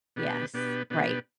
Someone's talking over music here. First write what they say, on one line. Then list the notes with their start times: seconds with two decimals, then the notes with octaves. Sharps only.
Yes. Right.
0.16 B2 B3 D4 G4 B4
0.54 B2 B3 D4 G4 B4
0.90 B2 B3 D4 G4 B4